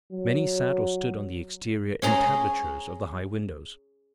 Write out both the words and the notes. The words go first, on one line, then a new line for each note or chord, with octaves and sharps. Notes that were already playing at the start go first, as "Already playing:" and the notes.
Many sat or stood on the exterior entablatures of the high windows.
F#3
C#4 G#4 A#5 C6